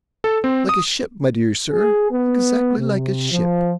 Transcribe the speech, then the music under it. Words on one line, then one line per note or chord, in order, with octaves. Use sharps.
'Like a ship, my dear sir,--exactly like a ship.
A4
C4
D#6
G#4
B3
C3
F3